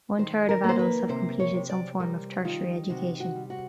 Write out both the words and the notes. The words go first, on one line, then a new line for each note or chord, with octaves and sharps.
One third of adults have completed some form of tertiary education.
D#3 C5
A#4
A#3
C5
B4
C3 C5
C#5
C3
D5
G3 A#4
D#3 F4
C3 F#4
F#4
G3
F#4